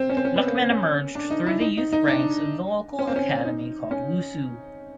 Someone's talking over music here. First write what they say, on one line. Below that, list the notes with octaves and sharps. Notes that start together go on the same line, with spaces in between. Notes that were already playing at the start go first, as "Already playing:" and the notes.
Lukman emerged through the youth ranks of local academy called Wusu.
Already playing: C4
C#4
C4
C#4
B3
A#3
C4
C#4
D4
D#4
E4
D#4
D#4
D#4
D4
C#4
C4
C#4
D#4
C#4